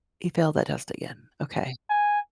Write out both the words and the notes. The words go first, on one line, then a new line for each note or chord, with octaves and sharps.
He failed that test again okay.
G#5